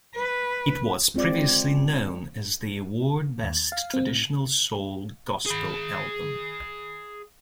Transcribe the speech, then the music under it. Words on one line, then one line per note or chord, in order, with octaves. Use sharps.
It was previously known as the award Best Traditional Soul Gospel Album.
B4
G#3 C4 F4 D5
D#2
A6
F5
C4
A2
G#4 B5